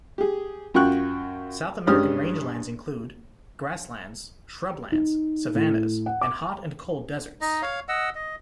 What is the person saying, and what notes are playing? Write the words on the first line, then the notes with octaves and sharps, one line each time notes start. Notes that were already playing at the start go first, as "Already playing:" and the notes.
South American rangelands include; grasslands, shrublands, savannas, and hot and cold deserts.
G4 G#4
F#2 F4 F#4 G5 C#6 F#6
G2 G#3 C#4 G4 D#6 F6
D#4
A2
F#5
D6
D#4 D#5
C#5 F5
D#5 F#5 E6
D#5